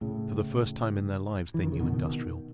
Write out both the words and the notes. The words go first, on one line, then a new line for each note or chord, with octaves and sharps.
For the first time in their lives they knew industrial peace.
A2 C#3
E3
D#3
C#3
B2 D#3
B2 D#3